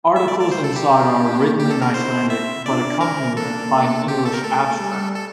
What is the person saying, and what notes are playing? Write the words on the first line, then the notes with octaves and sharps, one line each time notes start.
Articles in "Saga" are written in Icelandic but accompanied by an English abstract.
A3 E5
D5
D5
C5
A4
G4
A#3 D4
A#3 D4 G4
A4
A#4
C4 E4 C5
E5
D4 F4 D5
C4 E4 A#4
A#3 D4 A4
A#3 D4
C4 G4
A4
A#4
A3 A4
G3
A4